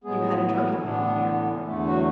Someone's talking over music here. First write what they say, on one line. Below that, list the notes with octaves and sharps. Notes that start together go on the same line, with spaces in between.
"You had a drunken man here, however."
A2 F#3 G#3 B3 G#4
E3 E4
A2 D3 E3 B3 D4
E2 D3 A3
F#3 F#4